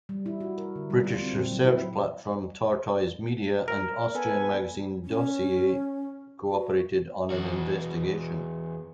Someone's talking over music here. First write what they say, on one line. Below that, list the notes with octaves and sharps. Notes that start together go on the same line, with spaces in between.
British research platform Tortoise Media and Austrian magazine Dossier cooperated on an investigation.
G3
E4
F#4
A#4
D3
G3
F4
C4
A#2
F#3
E4
A#4
B3 A4 B4 G#5
C#4
F#4
E2 F#4